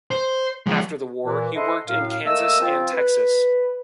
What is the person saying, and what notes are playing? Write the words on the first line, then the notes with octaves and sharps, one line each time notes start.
After the war, he worked in Kansas and Texas.
C5
F3 G#3
A#2 E3
E4 A4 C5 D#5 F#5 C6
F#2 A2 F5
A3 A#3 D#5 E6
F3 C4 F4
B4